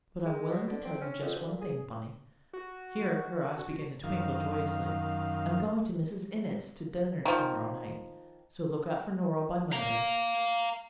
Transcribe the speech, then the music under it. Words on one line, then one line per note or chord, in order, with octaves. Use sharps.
"But I'm willing to tell you just one thing, Bunny"--here her eyes began to twinkle joyously--"I'm going to Mrs. Innitt's to dinner to-morrow night--so look out for Norah by Monday."
G#3
B2
D3
C4
C#4
F2
D2
A#2
G#4
F#4
F#2 D#3 F5
D#3 F3
F5 A#5